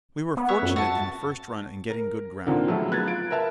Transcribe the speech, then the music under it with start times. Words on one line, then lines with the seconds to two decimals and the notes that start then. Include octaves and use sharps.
We were fortunate in the first run in getting good ground.
0.37 B3
0.48 C#5 E5 F#5
0.62 F#2
0.76 F#4 E5 A5 A6
1.90 A#4
2.46 A#2 D3 D#3 A#3 C4
2.66 A2 F3 F#3 G#3 A3 E4
2.91 B3 F#6 G#6 A6
3.07 F4 D7
3.30 A#4 B4 E5 A5